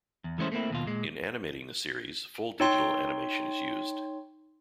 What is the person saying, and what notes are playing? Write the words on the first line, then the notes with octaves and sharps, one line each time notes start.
In animating the series, full-digital animation is used.
E2
E3 G#3 A3 C#4 E4 C5
A3 A#3 C4 E4
D#2 B2 F4
A#2 G#3
D#4 C#5 G5 C6